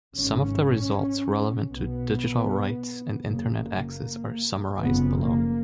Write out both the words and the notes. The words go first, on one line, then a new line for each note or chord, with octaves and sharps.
Some of the results relevant to Digital rights and Internet access are summarized below.
G#1 G#2 C#4
B1 B2 B3
F#1 F#2 C#3 A#3
A#3
F#1 F2 C#3 B3
A#3